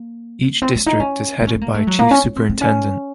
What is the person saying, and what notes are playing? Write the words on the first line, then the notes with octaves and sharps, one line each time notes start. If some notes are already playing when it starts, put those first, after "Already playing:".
Each district is headed by a Chief Superintendent.
Already playing: A#3
C4
C#4
D#4
C#4
D#4
C#4
C4
A#3
A3
F#3
A#3
C#4
C#4
C4
C4
C#4